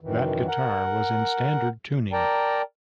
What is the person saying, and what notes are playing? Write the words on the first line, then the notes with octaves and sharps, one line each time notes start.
That guitar was in standard tuning.
F#2 D#3 E3
A#4 F#5
A#4 D5 G5 A5 A#5